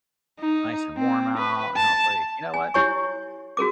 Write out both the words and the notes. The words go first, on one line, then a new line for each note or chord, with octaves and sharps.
it's nice and warm out, and I was like, "you know what,
D#4
C4
B4
A5
G#5
E4 G4 C#5 G#5 C#6
F#4 G#4 A#4 D6